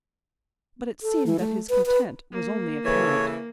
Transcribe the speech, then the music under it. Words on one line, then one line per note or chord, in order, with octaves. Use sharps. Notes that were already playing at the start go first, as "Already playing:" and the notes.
But it seemed that his content was only apparent.
A4
E3
A3
B4
B4
A#3
C#3 E3 A4 C#5